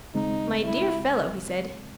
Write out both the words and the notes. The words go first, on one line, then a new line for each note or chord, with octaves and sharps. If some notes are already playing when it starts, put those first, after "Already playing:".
"My dear fellow!" he said.
D#2 C#3 G#3 C4 D#4
E4